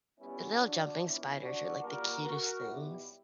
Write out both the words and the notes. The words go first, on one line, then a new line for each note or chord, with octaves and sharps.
The little jumping spiders are, like, the cutest things.
A#2 G3 B3 C#4 E4
D4 F#4
A#2 F#3 B3 C#4 E4
D4 F#4
A#2 G3 A#3 F#4 A#4
F#4 A#4
B1 B2 G3 B3 E4 G4